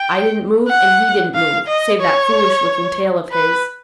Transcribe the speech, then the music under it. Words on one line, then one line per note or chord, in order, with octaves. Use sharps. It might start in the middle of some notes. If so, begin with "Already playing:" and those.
I didn't move, and he didn't move, save that foolish looking tail of his.
Already playing: G5
F#5
F5
D#5
C#5
B4